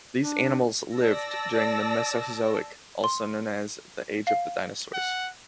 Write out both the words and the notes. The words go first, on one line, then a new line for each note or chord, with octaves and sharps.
These animals lived during the Mesozoic, also known as the age of the dinosaurs.
D4
D5 A5 E6 A#6
C6
F5
F#5